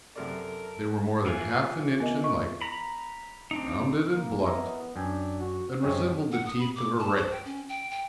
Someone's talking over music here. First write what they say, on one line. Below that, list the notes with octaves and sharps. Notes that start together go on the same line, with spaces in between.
They were more than half an inch in length, rounded and blunt, and resembled the teeth of a rake.
F#2 C3 A4 A#4 D5
E3 F4 G#4
B3 A#4 D#5
D#5 C#6
A#5 B5
C4 D4 D#4
A#3
B3 E4 A#4 D#5
F#2 D4 G5 G#5
F#4
F#2 C3 G#3 G4 C#5
F#5
D#6
B5
D6
A5
C5
G5
C#4
G5
G5